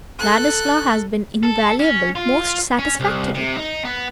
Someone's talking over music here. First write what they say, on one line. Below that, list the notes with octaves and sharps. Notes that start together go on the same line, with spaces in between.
Ladislaw has been invaluable, most satisfactory.
A4 F#6
A4
C#4
F4
C#4
C2
C3
D#4
B3